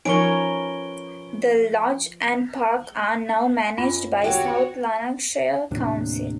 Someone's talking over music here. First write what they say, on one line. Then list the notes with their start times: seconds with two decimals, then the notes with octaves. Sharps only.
The lodge and park are now managed by South Lanarkshire Council.
0.05 F3 C#4 D#4 A#4 B4 C#6 D7 G7
3.78 F#2 F4
4.22 D#2 F#4 G4 C#5
5.71 D#2 A2 C3 D4